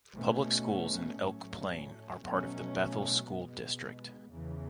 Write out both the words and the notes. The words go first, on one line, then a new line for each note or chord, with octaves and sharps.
Public schools in Elk Plain are part of the Bethel School District.
B2 A3 C#4
A2 F#3 A3 C#4
B2 F#3 A3 C#4
B2 G#3 B3
E2 C#3 E3